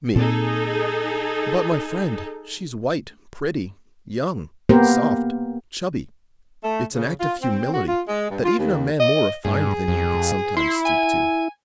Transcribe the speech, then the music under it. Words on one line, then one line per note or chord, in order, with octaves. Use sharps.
ME: But, my friend, she's white, pretty, young, soft, chubby--it's an act of humility that even a man more refined than you could sometimes stoop to.
A#2 C4 D#4 G#4 A4
A#3 B3 G4 A#4 C5
A3
C#3
F4
C4
F#4
F4
G#3
G2
F4
D#2
D#5
G2 G#4
F2
E4 C6
G#5